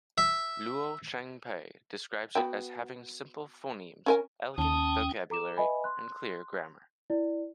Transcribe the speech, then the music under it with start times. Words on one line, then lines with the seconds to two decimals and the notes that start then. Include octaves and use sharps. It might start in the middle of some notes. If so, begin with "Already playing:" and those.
Luo Changpei describes it as having simple phonemes, elegant vocabulary, and clear grammar.
0.18 E5
2.35 B3 F#4 G5
4.06 C#4 A#4 G#5
4.58 D#2 C#4 G5 A5 D#6
5.30 A4 A#5 D6 E7
5.57 B4 D#5 E5 G#5 B5
5.84 C6 F#6
7.10 E4 D5